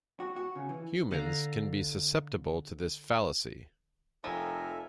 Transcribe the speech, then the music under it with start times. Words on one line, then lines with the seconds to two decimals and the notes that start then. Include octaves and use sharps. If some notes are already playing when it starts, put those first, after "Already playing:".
Humans can be susceptible to this fallacy.
0.20 F#4
0.36 F#4
0.56 C#3
0.69 E3
1.11 D3 F5 A#5
4.24 F1 F3 C4 A4 A#4 E5 G#5 A#5